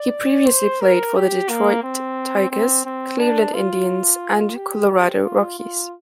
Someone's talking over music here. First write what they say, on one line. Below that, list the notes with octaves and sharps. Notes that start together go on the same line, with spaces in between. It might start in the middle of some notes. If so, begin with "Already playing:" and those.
He previously played for the Detroit Tigers, Cleveland Indians, and Colorado Rockies.
Already playing: D5
C5
A#4
G4
A#3
C4
C4
C4
D4
F4
G4
G4
F4
F4